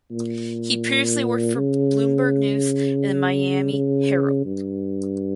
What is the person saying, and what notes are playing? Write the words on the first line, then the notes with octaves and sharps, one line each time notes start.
He previously worked for Bloomberg News and "The Miami Herald".
A#2
C#3
C#3
G2